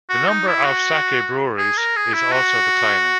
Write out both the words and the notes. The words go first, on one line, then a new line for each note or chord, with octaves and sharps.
The number of sake breweries is also declining.
F#4
D#4
E4
F#4
G#4
A#4
G#4
E4
F#4